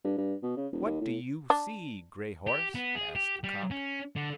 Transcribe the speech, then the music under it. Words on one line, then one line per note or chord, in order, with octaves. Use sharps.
"What do you see, Gray-horse?" asked the cock.
G2
G2
B2
C#3
E1
D#2
A2
D4
G4
B3
G#4
G4
G3
C#4
D3